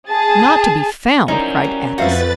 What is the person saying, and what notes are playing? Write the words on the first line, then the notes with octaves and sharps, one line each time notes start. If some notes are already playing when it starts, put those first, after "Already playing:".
"Not to be found!" cried Athos.
G#4 A5
C#4 D#4 E4 A#4 C5 D5
G3
F2 F#4 B4 C5 E5 F5 A6